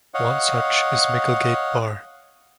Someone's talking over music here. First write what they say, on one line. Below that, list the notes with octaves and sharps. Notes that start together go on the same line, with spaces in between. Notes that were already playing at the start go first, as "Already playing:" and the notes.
One such is Micklegate Bar.
C#5 D#5 F5 F#5